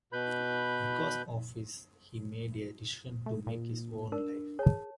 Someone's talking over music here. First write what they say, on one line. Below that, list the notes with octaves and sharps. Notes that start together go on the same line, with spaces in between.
Because of this, he made a decision to take his own life.
B2 B4 B5 G6
A3
A#2
D4 A#4
G#4 C#5 A5